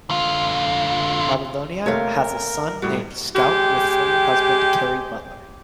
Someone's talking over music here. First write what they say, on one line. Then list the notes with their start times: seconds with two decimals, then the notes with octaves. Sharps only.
Babilonia has a son named Scout with former husband Cary Butler.
0.10 D3 F4
1.86 C3 A3 A#3 A#4 C#5 F5
2.82 A2 G3 F#4
3.35 G#3 G4